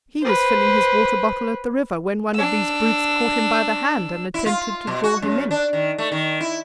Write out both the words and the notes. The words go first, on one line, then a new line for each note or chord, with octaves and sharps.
He was filling his water bottle at the river, when one of these brutes caught him by the hand and attempted to draw him in.
B4 C5
D4 E6
E4
F4
B2
F#4
F#2
D4
D#3
A3
D#3
E4